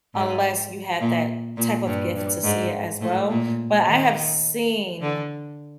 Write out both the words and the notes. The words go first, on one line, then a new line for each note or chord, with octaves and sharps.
unless you had that type of gift to see it, as well. But I have seen
G#2
A#2
A#2
G2
G2
G#2
A2
A#2
D#3
D3